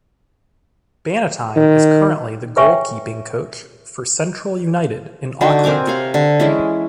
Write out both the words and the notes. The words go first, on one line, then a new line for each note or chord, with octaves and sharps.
Bannatyne is currently the goalkeeping coach for Central United in Auckland.
D#3
B4 C#5 E5 G5 G#5 C#6
D3 D#4 F#4 G5
C4 A#4 G#5 D6
C3 C#5 F5
D3
E3 G#3 C#4 E4